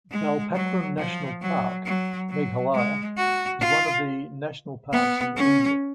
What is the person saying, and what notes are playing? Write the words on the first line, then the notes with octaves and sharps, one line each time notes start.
Balpakram National Park, Meghalaya is one of the national parks in India.
G#3
F#3
F3
F#3
F#3
F#3
G#3
F#4
F4
B3
C#4